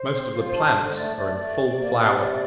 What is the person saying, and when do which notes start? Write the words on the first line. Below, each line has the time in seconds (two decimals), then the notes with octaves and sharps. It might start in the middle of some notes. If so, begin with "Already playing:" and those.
Most of the plants are in full flower.
Already playing: C5
0.13 C4
0.34 F4
0.54 D4
0.75 D3
0.91 D#5
0.96 A3 D5
1.16 A3
1.36 A3
1.58 C3
1.78 A#3
1.99 C3
2.20 C3